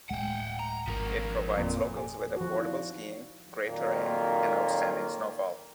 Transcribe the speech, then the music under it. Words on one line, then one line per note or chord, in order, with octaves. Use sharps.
It provides locals with affordable skiing, great terrain and outstanding snowfall.
D1 G#3 F#5 G5
A#5
G#1 F3 A#4
F2 A#2
A4 G#5
F3 F#4
D#4 E4 D5
F2 A#2 D#3 F#3 A#3